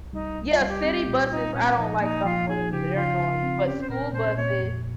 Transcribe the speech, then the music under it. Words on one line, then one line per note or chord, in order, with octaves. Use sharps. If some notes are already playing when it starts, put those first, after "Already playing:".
Yeah, city buses, I don't like stopping for them either. They're annoying, but school buses
Already playing: C2
G3 D#4
C2
F4
G3
G4
C4
A#2
D#4 F4
A#2 C#4
F3 D#4
A#3 D#4
F3 F4
D#4 G#4
C#3 G4
C#3 F4
C#3
C4
C#4 G4
C5
A#2 A#4
A#2 C5
A#2 C#5
F2